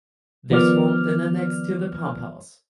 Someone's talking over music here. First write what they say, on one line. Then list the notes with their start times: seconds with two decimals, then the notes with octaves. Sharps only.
This formed an annexe to the pump house.
0.50 D#3 F3 B3 D5 F6